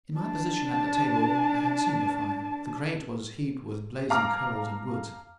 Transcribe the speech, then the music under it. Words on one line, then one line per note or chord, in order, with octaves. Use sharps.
In my position at the table, I had seen the fire: the grate was heaped with blazing coals and wood.
D4 A5
F5 A5 A#5 D6 F6